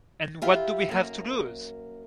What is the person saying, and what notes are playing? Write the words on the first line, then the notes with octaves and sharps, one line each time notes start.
And what do we have to lose?
E4 F4 G4
F#2 A#3